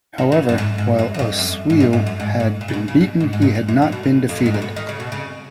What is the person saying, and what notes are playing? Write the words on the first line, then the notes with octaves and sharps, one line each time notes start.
However, while Oswiu had been beaten he had not been defeated.
D#3
C#3
F#2
G#2
G#2
F#2
F#2
F2
F#2
G#2
F#2
G#2
F#2
G#2
G#2
A#2
C#3
B2
C#3
B2
G#2
G#2
A#2
A#2
F#2
A#2
B2
A#2
F2
F#2
G#2
A#2
B2
D#3
C#3
B2
C#3